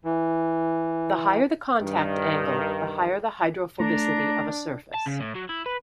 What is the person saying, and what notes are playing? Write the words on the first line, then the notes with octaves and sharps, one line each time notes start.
The higher the contact angle the higher the hydrophobicity of a surface.
E3
G2 D#3
A3 D4 A#5
A5
C#3
A2
F#3
E4
B4